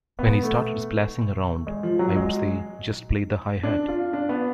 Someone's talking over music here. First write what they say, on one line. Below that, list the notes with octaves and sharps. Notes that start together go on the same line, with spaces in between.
When he started splashing around I'd say, 'Just play the hi-hat!'.
B3
A3
G#3
F3
F#3
G#3
D4
F4
D4
B3